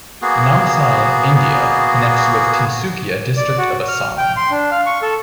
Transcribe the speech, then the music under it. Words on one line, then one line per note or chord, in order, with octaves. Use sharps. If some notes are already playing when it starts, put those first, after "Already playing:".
Namsai, India connects with Tinsukia district of Assam.
A#3 B3 F#4 G#4
D5
F#4
F6
G5
C6
D4
F5
C#6
A4